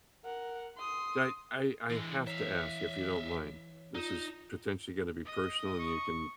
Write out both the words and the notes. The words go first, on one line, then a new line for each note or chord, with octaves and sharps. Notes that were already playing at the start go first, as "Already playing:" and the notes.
I I I have to ask, if you don't mind, this is potentially gonna be personal, and you can
A#4 F#5
C6 D#6
D3 E3 G#3
C#5 E5 F5
D#4 F4 E7
D#5 D#6
C#6